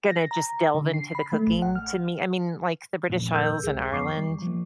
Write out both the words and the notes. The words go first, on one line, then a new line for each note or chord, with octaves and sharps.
gonna just delve into the cooking to me. I mean, like, the British Isles in Ireland,
A#6
A#5
D3
C7
B5
A3
A1
F#5
F6
A1 F2 A#2
A#4 E6 G6
C#2 G#4
F2 B3 C#6 D6 C7
G3
F3 A#3